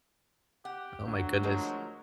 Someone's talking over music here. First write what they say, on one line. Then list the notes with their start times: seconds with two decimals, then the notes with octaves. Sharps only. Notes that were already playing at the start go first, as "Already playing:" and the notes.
Oh my goodness.
0.65 G4 F#5
1.07 D2 F#3
1.43 F3 G#3 A#4